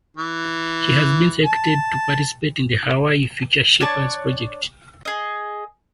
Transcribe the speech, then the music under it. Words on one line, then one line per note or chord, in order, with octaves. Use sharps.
She has been selected to participate in the Huawei Future Shapers Project.
E3
A5
D4 C#5 D5 A5
G#4 D#5